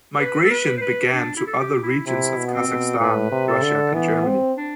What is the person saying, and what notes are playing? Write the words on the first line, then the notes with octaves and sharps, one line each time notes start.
Migration began to other regions of Kazakhstan, Russia and Germany.
B4
A4
B4
C5
B4
D4
E4
A4
G4
E4
C3 E4
B2
B3
C4
B2
A2 B4
C3
A4
D3
E3 B3
C4
D4